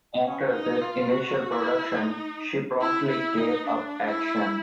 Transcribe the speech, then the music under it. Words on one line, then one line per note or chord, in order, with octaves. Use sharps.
After this initial production she promptly gave up acting.
C#4
D#4
F4
F#4
E4
D#4
E4
E4
D#4
D4
E4